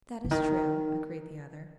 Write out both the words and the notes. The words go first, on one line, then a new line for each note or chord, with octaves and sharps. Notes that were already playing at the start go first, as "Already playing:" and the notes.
"That is true," agreed the other.
D3
D#3